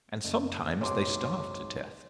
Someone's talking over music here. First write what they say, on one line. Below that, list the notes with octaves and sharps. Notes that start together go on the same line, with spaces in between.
And sometimes they starve to death.
F#1
B1 G#2 C3 C#5 C6 D6